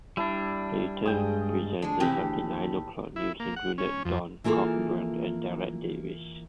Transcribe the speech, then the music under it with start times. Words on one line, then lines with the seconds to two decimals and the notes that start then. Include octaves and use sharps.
Later presenters of the "Nine O'Clock News" included Don Cockburn and Derek Davis.
0.17 G3 D4 E4 A5
1.06 G2 G#3 D#5 G5 D#6
1.82 D2 G#3 D4
2.00 E2 A2 C3 G4
2.21 D2
2.42 D#2
3.16 E4
3.40 A#3
3.56 F#5
3.78 C#4
4.05 F2
4.44 E3 A#3 F4 G#4 A4